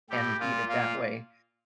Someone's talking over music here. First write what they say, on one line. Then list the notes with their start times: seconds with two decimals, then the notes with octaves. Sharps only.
and eat it that way.
0.10 A2 G4
0.39 A#2 F4
0.68 A#2 F4